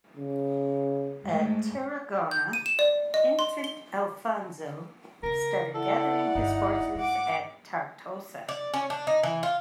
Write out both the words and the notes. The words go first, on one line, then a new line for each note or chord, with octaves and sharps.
At Tarragona Infant Alfonso started gathering his forces at Tortosa.
C#3
G#2 G#3 A3
G6
D#7
E7
D5
D#5
C6
G7
C#3 A#4
E4 A4 D5 F#5
G1 D#4
G#2 F#5 D6
D5
C#4
D4
D#4
E3
F4